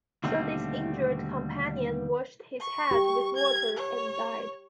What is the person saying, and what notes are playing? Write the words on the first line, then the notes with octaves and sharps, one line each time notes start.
So this injured companion washed his head with water and died.
D#2 B2 D3 G3 A3 C4
C#6
G4
G#6
C#5